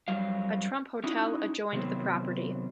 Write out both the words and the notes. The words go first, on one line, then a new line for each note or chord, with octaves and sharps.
A Trump Hotel adjoined the property.
F2 F#3 G3 F5
C#4 D#4 E4 F#4
C3 D#3 F#3 B3 C4